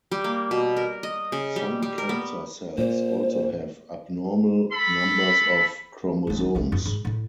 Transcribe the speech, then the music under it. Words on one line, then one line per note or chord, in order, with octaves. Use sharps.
Some cancer cells also have abnormal numbers of chromosomes.
G3
A#3
B2
A#4
D#5
C#3
G3
G3
A#4
B3
A#2 C5
A4 B5
D#2 A3
D#4
C2 G3
F#2 F4
G#2
A2